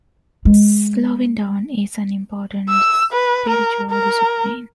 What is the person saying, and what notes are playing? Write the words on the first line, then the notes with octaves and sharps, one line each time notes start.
Slowing Down is an important spiritual discipline.
G#3
E6
B4
A#4
A#4